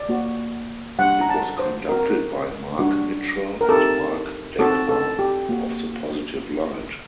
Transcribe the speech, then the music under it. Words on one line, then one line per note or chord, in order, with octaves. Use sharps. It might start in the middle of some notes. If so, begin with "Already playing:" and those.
It was conducted by Marc Mitchell and Mark Daghorn of The Positive Light.
Already playing: D5
A#3 F#4
G3 D4 G4 F#5
A#5
A5
C5
C4 F#4 A#4
G3 D4 F#4
A#4
C4 D#4 G4 A4
C4 D#4 F#4 A4
A4
G4
A#3 F#4